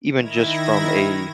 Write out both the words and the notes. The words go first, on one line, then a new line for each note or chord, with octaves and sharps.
even just from a
D#3 E4 G#6 A#6